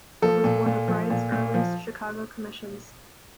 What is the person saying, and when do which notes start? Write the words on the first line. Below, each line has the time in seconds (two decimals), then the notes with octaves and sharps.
It was one of Wright's earliest Chicago commissions.
0.22 F3 A4
0.44 A#2
0.66 A#2
0.88 F3
1.10 A#2
1.32 A#2
1.54 F3